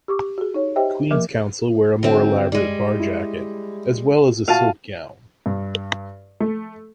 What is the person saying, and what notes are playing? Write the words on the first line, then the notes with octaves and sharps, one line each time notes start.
Queen's Counsel wear a more elaborate bar jacket as well as a silk gown.
G4 C#6 D6
F#4 G#4
D#4 C#5
G4 C5 D#5 E5 G5
F3 A#3 A#4 E5 D6 F6
F#2 D3 C4
G3 G#3 D5
E4
A#2 F#4 F5 A5 D#7
G2
A3